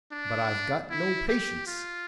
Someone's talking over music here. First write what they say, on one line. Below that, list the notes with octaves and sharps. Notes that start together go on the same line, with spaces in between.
"But I've got no patience."
D4
E4
G4
F4